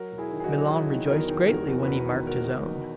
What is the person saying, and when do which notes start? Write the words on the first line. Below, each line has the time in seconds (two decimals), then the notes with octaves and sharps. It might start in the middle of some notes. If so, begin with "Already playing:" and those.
Milon rejoiced greatly when he marked his own.
Already playing: F#3 F#4 A#4
0.12 E1
0.18 E4 G#4
0.31 D#3
0.40 G#4
0.44 D#4 F#4
0.51 F#3
0.70 F#3 E4 G#4
0.90 D#3
1.10 E2 F#4 A#4
1.29 D#3
1.48 D#3 F#4 A#4
1.68 E2
1.83 B4
1.87 E1 F#4 A#4
2.08 D#3
2.26 E1 F#4 A#4
2.46 E1
2.65 E1 D#4 F#4